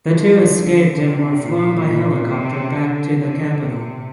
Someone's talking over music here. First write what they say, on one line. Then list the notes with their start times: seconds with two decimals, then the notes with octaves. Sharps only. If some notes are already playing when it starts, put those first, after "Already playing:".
The two escaped and were flown by helicopter back to the capital.
0.11 F3
0.55 D3
0.99 C3
1.43 A#2
1.87 A#2
2.31 C3
2.75 D3
3.19 D3
3.62 C3